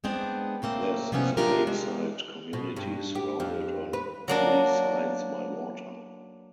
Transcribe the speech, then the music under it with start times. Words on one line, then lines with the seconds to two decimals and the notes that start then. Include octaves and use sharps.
This is a lakeside community surrounded on three sides by water.
0.04 G#3 B3 C4 D4
0.62 C#3 A3 A#3 C4
1.12 C3 F3 G3 B3 C#4
1.37 G#3 A3 D4 F4 G4 A#4
1.67 G#3
2.53 B2
2.76 G2
3.15 G4
3.40 F2
3.93 B4
4.28 F#3 A#3 D4